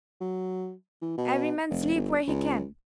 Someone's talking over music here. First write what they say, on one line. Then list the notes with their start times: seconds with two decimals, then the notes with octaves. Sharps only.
'Every man sleep where he can.
0.21 F#3
1.01 E3
1.18 B2
1.70 F1
1.95 G1
2.27 C#2